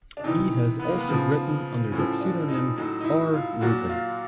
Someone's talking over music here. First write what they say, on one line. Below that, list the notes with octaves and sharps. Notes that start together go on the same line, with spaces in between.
He has also written under the pseudonym R. Rupen.
D4
C3 E3 D#4
B3
A#3
B3
C#3 F3
A2 F3 C#4
D4
D#4
A2 F#3 D#4
D#4
E4
F4
A#2 F#3 F#4
F4